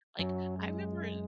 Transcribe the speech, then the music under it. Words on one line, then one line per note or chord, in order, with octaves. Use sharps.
like, I remember i
F#2 F#3
G#3